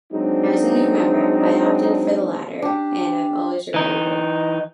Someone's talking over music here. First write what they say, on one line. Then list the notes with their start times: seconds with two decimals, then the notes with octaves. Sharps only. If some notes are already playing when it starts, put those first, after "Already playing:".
As a new member, I opted for the latter and I've always regretted it.
0.12 F#3 G#3 C4 D4 D#4
2.62 D4 G4
3.74 E3 D#4